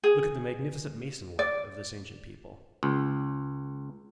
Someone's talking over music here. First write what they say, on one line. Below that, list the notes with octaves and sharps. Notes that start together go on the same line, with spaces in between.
Look at the magnificent mason-work of this ancient people!
G#4
D5
C#2